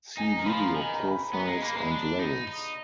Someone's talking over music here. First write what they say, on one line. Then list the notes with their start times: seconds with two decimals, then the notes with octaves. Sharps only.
See Video profiles and levels.
0.17 D#4 G#5
0.32 A#5
0.40 D#3
0.46 F3 B5
0.61 A#5
0.75 D#3 G#5
0.89 A#5
1.04 B5
1.18 B5
1.33 B3 A#5
1.47 G#3 A#5
1.62 A#3 B5
1.76 G#3 B5
1.91 D4
2.19 D#4
2.48 D#4